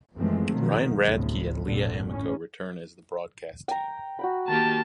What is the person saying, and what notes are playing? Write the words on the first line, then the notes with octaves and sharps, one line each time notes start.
Ryan Radtke and Leah Amico return as the broadcast team.
F#2 E3 F3 G#3 A3 C4
B2 D#3 F3 F#3
G1 D2 A2 C3
G#1 F2 A#2 D3
A2 C#4
G5 A#5
F#4 G5 B5
D#3 A#3 G4 A5